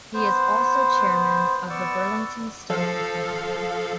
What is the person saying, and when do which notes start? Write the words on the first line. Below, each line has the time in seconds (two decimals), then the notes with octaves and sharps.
He is also chairman of the Burlington Stone Company.
0.14 B3 C5
1.70 B3 D5 C#6 E6
2.70 F3 A4 F5